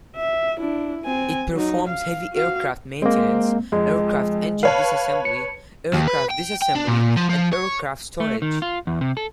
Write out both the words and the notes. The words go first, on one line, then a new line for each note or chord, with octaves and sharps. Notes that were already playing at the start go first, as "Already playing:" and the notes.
It performs heavy aircraft maintenance, aircraft engine disassembly, aircraft disassembly, and aircraft storage.
E5
D4 E4
C4 G#5
F#3 D#4
F5
F#4 F5
G#3 A#3 C4
F2 G#3
B4 C#5 F5 A5
C#7
D#2
B4
G5
G5
D4
A#2
F3
F3
C#5
A3
D#3
F4
E2
C3
A4